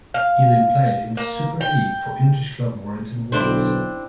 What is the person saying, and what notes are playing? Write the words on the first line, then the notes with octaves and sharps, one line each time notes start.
He then played in Super League for English club Warrington Wolves.
F5
A#3
G5
B1 D3 C4 D4 E4